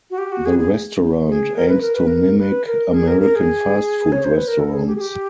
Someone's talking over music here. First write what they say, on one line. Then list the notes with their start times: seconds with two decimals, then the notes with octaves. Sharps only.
The restaurant aims to mimic American fast food restaurants.
0.11 F#4
0.18 G4
0.32 F#4
0.46 G#4
0.59 G#4
1.29 G#4
1.56 A#4
1.69 B4
1.81 A#4
1.94 B4
2.07 A#4
2.38 B4
2.67 A#4
2.94 G#4
3.08 A#4
3.21 A#4
3.36 G#4
4.12 C#5
4.24 C5
4.36 B4
4.48 A#4
4.59 A4
4.73 G#4
4.87 G4
4.96 G#4
5.01 G4